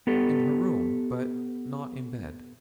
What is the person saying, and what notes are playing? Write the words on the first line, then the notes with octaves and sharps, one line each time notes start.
'In her room, but not in bed.'
B3 G4 A4